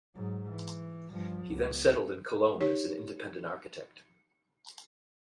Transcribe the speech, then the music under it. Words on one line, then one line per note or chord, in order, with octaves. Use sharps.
He then settled in Cologne as an independent architect.
G#2 F#3
E3
G2 F3
C#2 B3
D#4 G4 C#5